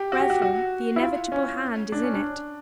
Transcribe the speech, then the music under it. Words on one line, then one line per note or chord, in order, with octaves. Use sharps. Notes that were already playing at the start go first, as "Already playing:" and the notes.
Brethren, the inevitable hand is in it.
Already playing: G4
F#4
G4
F#4
F#4
E4
F4
C#4
D4
C#4
D4